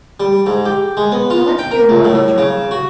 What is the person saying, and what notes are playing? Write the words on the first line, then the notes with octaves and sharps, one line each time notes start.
"Now let's hear more about your uncle."
G3
G#2
G4
G#3
B3
F4
G5
A#4
C#2
A2
C#3
F#4